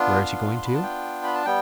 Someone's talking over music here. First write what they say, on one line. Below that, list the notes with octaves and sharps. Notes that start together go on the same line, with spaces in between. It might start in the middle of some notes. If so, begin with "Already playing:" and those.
Where is he going to?
Already playing: B3 D4 F4
F5
C6
B5
A5
G5
B5
A5
G3 B3 G5